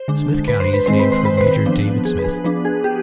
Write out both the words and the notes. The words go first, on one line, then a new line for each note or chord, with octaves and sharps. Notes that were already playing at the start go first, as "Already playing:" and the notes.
Smith County is named for Major David Smith.
Already playing: C5
D3 G#3 D4
B4
C5
B4
D#3 G#3 C4 C5
B4
C5
B4
C5
B4
F3 B3 D4
G#4
B4
G#4
F3 B3 D4 B4
G#4
G4